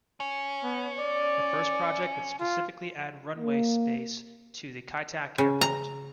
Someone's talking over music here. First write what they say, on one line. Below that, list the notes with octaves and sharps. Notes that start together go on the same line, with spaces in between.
The first project would specifically add runway space to the Kai Tak Airport.
C#4
B3
D5
F4
A#3
C#3
A#5